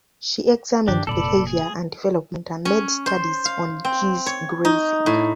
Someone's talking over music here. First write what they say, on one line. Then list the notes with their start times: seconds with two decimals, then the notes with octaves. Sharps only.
She examined behaviour and development and made studies on geese grazing.
0.88 G2 D#3 D4 G4
1.07 F1 A#2 A4 D5 B5
1.47 G#4
2.65 C#4
3.06 C5
3.45 F5
3.85 C4
4.26 C#5
4.65 D#4
5.06 A2